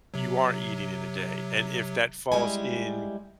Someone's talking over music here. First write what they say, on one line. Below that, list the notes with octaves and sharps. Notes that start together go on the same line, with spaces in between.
you are eating in a day. And if that falls in
C3 F#3
G3 G#3 E4 G#5